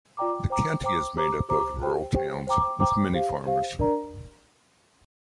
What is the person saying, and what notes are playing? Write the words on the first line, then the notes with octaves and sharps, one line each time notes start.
The county is made up of rural towns with many farmers.
F4 D5 G5 A#5 D6
C5 G5 A#5 D6
C5 G5 A#5 D6
G4 C5 A#5 D6
G4 C5 A#5 D6
G4 C5 G5
G4 C5 G5
C5 G5 A#5 D6
C5 G5 A#5 D6
G4 C5 F5
G4 C5 F5
D4 A#4 D5 A#5